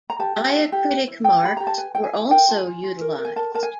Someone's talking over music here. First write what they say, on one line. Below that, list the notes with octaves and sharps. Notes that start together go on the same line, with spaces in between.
Diacritic marks were also utilized.
A#5
G4 A5
G4
E4
G4
B4
E4
E4 G5
G4 B5
G4 A#5
A5
B4 G#5
E4 G5
G#5
E4
A#4 G5
F4 A5
G#5
F4
F4
A#4
A#4
G#5
A#4 A5
A#4 A5
G#5